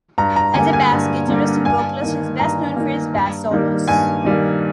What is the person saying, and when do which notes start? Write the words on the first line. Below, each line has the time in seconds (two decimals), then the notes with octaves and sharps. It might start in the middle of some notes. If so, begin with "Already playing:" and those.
As a bass guitarist and vocalist he is best known for his bass solos.
0.18 G2 A#5
0.36 A#5
0.54 D3 G3 A#3 G#5
0.73 G#5
0.92 G2
1.28 D3 G3 A#3
1.65 G2 G#5
2.02 D#3 A#3
2.39 G2 A#5
2.76 D#3 A#3
3.14 G2
3.51 D#3 G3 A#3
3.88 G2 G#5
4.25 D#3 G3 A#3